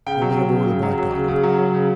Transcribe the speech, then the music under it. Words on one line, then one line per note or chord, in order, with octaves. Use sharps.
'Only aboard the Black Diamond.
C#3 G5
F#3
F#3
C#3
C#3
F#3
F#3
C#3
C#3
F#3
F#3
C#3